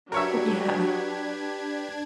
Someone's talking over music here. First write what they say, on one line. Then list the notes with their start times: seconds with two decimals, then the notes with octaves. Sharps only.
N Yeah.
0.12 F#3 D4 G4 A#4 B4 C#5 E5 G#6